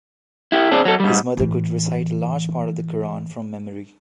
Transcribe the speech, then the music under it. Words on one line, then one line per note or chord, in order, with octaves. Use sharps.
His mother could recite a large part of the Qur'an from memory.
E4 G4
C4 D4 G#4
F#3 A4
G#2 G3
A2 E3